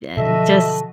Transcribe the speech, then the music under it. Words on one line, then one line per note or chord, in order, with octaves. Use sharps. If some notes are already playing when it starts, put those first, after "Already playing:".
e eh just
B2 D3 F3 F#3 F#4 A4 D#5 E5